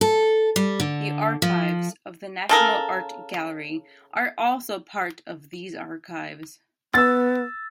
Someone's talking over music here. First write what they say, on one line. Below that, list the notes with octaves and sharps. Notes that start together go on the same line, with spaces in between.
The archives of the National Art Gallery are also part of these archives.
A4
G3
D3
F3
C#3 A4 A#4
B3 E6 A6